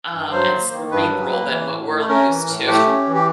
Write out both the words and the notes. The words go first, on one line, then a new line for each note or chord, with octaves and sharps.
Um, and cerebral than what we're used to
G2
F#3 C5
A#3
D#3
G2 B4
F#3
A#3
E3
A2
A3
C#4 A#4
E3
A2
A3 G4
C#4
E3
G4